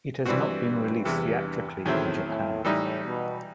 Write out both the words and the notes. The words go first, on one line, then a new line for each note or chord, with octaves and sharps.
It has not been released theatrically in Japan.
G2 E3 G3 C4 F#4
E2 C3 E3
E2 A2 D#3 F#3 C4 E4
A2
A2 E3 G3 D#4
B2